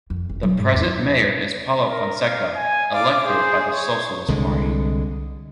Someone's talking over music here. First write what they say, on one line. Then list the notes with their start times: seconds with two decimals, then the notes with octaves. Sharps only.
The present Mayor is Paulo Fonseca, elected by the Socialist Party.
0.10 F2
0.29 F#1
0.43 F#3
0.58 G#2
0.74 E2
1.88 A#4
2.25 F5
2.56 G#5
2.93 D5 F5 D6
3.26 G#4 C5
3.74 C#5
4.28 C2 D3 G#3